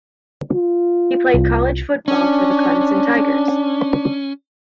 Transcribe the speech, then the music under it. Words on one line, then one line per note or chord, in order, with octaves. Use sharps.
He played college football for the Clemson Tigers.
F4
C2
C#4 D4